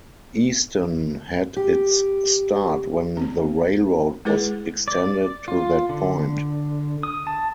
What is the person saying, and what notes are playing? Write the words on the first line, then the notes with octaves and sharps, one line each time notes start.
Easton had its start when the railroad was extended to that point.
G4
B3 C4
G#3 E4 G#4 B4
D5
F4
D3
D#6
A5